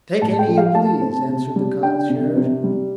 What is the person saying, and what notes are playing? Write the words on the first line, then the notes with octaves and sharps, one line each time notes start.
"Take any you please," answered the concierge.
A2 A5
G5
F3
F5
A3 A5
C4
C3
G3
D4 G5
C3
C3
G3